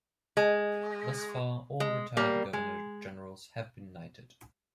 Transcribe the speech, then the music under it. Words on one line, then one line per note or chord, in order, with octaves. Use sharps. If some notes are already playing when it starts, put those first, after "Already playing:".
Thus far all retired governor-generals have been knighted.
G#3
G#3
G3 A#3
G#3